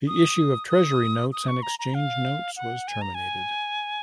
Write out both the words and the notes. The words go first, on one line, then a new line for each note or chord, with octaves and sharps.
The issue of treasury notes and exchange notes was terminated.
D#6
D#6
D#6
C#6
A#5
A#5
F5
F#5
G#5
A#5
G#5